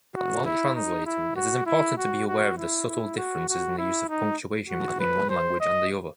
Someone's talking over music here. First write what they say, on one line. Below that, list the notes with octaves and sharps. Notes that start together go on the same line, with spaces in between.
While translating, it is important to be aware of the subtle differences in the use of punctuation between one language and the other.
F#4
E4
D#4
E4
F#4
E4
F#4
F#4
E4
E4
F#4
F#4
E4
D#4
F#4
B4
C5
D#5